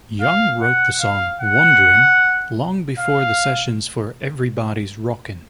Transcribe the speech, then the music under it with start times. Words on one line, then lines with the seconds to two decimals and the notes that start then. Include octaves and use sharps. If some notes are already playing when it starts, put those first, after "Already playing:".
Young wrote the song "Wonderin'" long before the sessions for "Everybody's Rockin"'.
0.21 F5
0.62 F#5
1.01 F5
1.41 F#5
2.99 F5